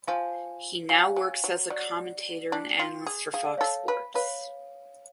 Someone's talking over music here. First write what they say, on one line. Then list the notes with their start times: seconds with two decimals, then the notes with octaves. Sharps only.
He now works as a commentator and analyst for Fox Sports.
0.07 F3 F5 G#5
0.89 F#3 F5 G#5
1.16 F#3
1.44 F#3
1.70 F#3 D5 F#5
2.52 D4
2.79 F4
3.06 G#4
3.33 G#4 F5
3.46 D5
3.57 A4 C#5 F5
3.88 B4
4.14 B4 C#5 F5